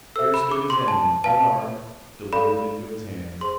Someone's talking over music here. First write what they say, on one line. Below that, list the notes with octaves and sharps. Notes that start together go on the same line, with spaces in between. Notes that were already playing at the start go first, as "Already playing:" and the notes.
Here stood his enemy, unarmed, delivered into his hands.
A4 C5 E5 E6
B5
D6
C6
A5
B4 F5 A5
A4 D5 F5 B5
G#4 C5 C6